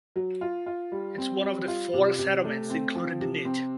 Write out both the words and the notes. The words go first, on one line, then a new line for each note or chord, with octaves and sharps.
It is one of the four settlements included in it.
F#3
F4
F4
G3
C4
G3
F4
C3
C3
A3
C4
F3
C3
C4